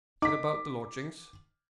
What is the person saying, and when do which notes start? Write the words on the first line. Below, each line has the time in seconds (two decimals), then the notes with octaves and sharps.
"Is it about the lodgings?"
0.22 D#4 D6 B6